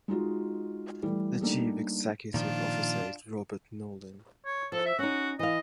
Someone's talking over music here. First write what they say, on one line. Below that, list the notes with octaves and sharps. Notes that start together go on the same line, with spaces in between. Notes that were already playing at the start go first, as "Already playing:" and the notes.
The Chief Executive Officer is Robert Nolan.
G#3 D#4 F4 F#4
E3 G3 A3
G3 A3 A#3 D4 D#4
A#2 D#3 F3 D4 F4
C#5
F3 A4
E5
C#4 D#4 F#4
E3 D#5 F5